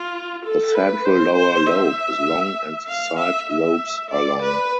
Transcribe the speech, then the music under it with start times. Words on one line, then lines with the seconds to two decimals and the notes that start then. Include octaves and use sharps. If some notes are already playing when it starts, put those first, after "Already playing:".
The central lower lobe is long and the side lobes are long.
Already playing: F4
0.44 A4
0.75 B4
1.05 C5
1.36 C5
1.66 E5
2.88 F5
3.19 E5
3.49 E5
4.11 D5
4.42 B4